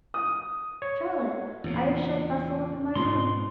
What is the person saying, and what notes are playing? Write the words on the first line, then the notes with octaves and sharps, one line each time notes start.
'Charlotte, I have shut Bustle up in my room.
D#6
C#5
E2 A#2 C#3
G#2 B2 F3 C6